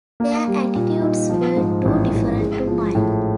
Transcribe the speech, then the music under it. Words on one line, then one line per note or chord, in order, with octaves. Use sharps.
Their attitudes were too different to mine.
A#3
G3
A#2
D#4
F3
G#2
A1
A1
G#3
F3
A2